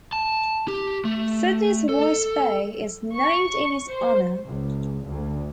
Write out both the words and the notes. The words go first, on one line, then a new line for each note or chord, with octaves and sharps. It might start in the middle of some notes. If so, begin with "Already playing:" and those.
Sydney's White Bay is named in his honour.
A5
G4
A3
A4
C#6
C5
C#2
D2